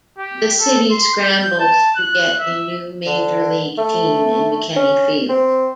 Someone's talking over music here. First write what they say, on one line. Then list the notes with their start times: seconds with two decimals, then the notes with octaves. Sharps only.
The city scrambled to get a new major league team in McKechnie Field.
0.18 G4
0.60 A4
0.91 C6
1.23 G6
1.60 A5
1.96 F#6
2.40 E5
3.06 D3
3.78 A3
4.76 C#4
5.29 C4